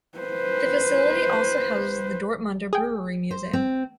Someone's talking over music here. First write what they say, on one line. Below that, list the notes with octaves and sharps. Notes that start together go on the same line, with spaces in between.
The facility also houses the Dortmunder Brewery Museum.
B4 C5
G#4 G5
C5
C4